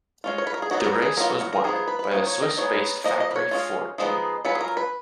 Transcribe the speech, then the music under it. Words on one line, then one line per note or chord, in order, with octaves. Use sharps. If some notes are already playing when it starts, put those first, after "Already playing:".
The race was won by the Swiss-based factory Ford team.
G#3 C#4 F4
C#5
B4
A#4
G#4
D#3 F#3 B3 D#4 F#4
F#4
G#4
F#3 B3 F4 A#4
F#4
F#4
A#4
F3 B3 D#4 G#4
G#4
B4
B4
F3 A#3 D#4 C#5
C#5
D#5
G#3 B3 D#4 C#5
F3 A#3 D#5
D#5
B4
C#5
G#3 C#4 F4
F3 G#3 B3 D#4
F#3 C#4 F4 B4
G#4
A#4
B4